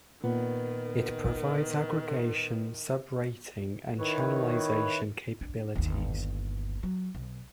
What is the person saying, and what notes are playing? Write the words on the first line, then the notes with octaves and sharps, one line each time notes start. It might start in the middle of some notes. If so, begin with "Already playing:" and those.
It provides aggregation, sub-rating and channelization capabilities.
A#2 D#3 B3
D#3 E4 B4 C#5
D4
G1 D#2
F#3
B1